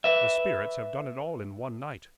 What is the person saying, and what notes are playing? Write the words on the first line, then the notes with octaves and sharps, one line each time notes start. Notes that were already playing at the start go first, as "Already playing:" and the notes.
The Spirits have done it all in one night.
B4 E5